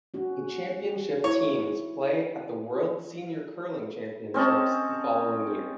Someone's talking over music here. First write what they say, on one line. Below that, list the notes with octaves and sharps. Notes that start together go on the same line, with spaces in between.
The championship teams play at the World Senior Curling Championships the following year.
C#4 F#4
E4 C#5
C4 C#4 D#5 A5